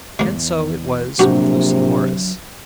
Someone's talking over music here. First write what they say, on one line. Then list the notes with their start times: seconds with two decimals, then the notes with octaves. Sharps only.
And so it was with Lucy Morris.
0.19 E2 G#3 A#3
1.19 A#1 C3 F#3 D4 F#4 G4 A#5